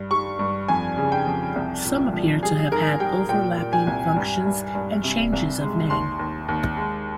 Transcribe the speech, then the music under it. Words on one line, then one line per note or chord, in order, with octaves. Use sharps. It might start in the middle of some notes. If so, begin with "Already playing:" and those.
Some appear to have had overlapping functions and changes of name.
Already playing: G2
G3 C#6
G2
F2 G#5
C#3
G5
F2
C2
A#2
F3
G3 G#4
G#2 A#4
G3 G5
A#2 G5
A#2
G#5
C2
G2
G2
G2
C3
C2
G#3
D#2 C6
D#2
D#2
G#3